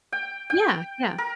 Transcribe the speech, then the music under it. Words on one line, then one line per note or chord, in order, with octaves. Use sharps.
Yeah, yeah.
G5
G5
A#4